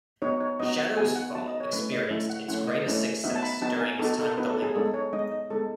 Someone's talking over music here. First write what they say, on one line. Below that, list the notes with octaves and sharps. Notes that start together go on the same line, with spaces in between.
Shadows Fall experienced its greatest success during its time with the label.
B3 D#4 F#4 C#5
C#5
B3 D#4 F#4 D#5
F#5
B3 D#4 F#4 G#5
F#5
B3 D#4 F#4 A5
D#5
C#5
A3 C#4 E4 B4
D#5
A3 C#4 E4 E5
F#5
A3 C#4 E4 F#5
D#5
A3 C#4 E4
B3 D#4 F#4 E5
A5
B5
B3 D#4 F#4 A5
G#5
B3 D#4 F#4 A4
A4
B3 D#4 F#4 B4
A4
G#4
G#3 B3 D#4 A4
C#5
G#3 B3 D#4 D#5
D#5
G#3 B3 D#4 A4